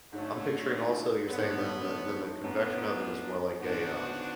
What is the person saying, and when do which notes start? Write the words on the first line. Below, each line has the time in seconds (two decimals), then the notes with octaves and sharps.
I'm picturing also, you're saying the nu nu nuc convection oven is more like a, um,
0.12 G#2 D3 F#3 A3 C#4
1.28 G#2 D3 F#3 B3
1.40 A2
1.51 G#2
2.44 F#2 A2 F3 B3 D4
3.59 G#2 C#3 F3 B3 D4 F#4